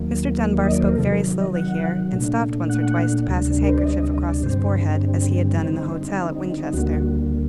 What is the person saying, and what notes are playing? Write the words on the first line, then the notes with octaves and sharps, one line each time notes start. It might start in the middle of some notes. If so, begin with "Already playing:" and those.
Mr. Dunbar spoke very slowly here, and stopped once or twice to pass his handkerchief across his forehead, as he had done in the hotel at Winchester.
Already playing: D#2 D#3 F#3 A#3
D#5
D5
C5
A#4
C3 D#3 F#3 A4
A#4
D#5
F#5
A#2 A3 D4
F#5
D2 C3 G3 D4
A#4
C5
D5
D#5
D#5
D#5
D5
G2 D3 G3 C4 C5
D3 G3 C4 D#4 C5
D2 D3 G3 A#3 F#4